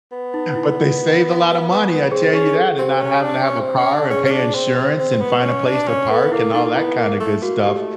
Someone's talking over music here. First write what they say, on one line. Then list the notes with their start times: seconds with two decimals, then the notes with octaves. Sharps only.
But they saved a lotta money, I tell you that, and not having to have a car, and pay insurance, and find a place to park, and all that kinda good stuff,
0.12 B3
0.34 D#4
0.56 E4
2.11 C4 G#4
2.33 C#4 G#4
2.55 A4
2.78 C4 G4
3.00 C#4
3.22 D4
3.44 C#4
3.60 C4
3.77 C#4
3.94 D4
4.10 C#4 G#4
4.26 C#4
4.32 D4
4.55 C4
4.77 C4
4.99 C4
5.21 B3
5.43 C#4
5.65 D4
5.88 C#4
6.10 B3 A4
6.32 A#3 E4
6.54 A#3 D#4
6.76 B3 E4
6.98 A#3
7.20 A3
7.43 A#3 F#4
7.65 G4
7.75 A3